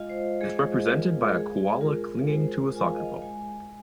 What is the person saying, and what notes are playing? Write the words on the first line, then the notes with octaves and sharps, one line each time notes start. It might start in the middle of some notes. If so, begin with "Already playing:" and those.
Its represented by a koala clinging to a soccer ball.
Already playing: G#3 F4 D#5 F5
C5
G#3 G#4
F4 A#4
G#3 G#4
F4 A#4
G#3 C5
F4 G#5
F5
D#5
F5
G#3 G#5